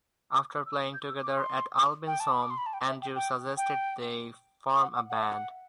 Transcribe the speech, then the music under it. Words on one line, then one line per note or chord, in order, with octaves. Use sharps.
After playing together at Albin's home, Andrew suggested they form a band.
E6
G6
E6
D6
C6
G5
A5
B5
D6
C6
B5
A5
G5
E5
G5
G5
G5
F#5
F#5
F#5
E5
F#5